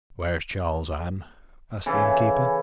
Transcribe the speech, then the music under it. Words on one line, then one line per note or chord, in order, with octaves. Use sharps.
"Where is Charles, Ann?" asked the innkeeper.
C#3 E3 A4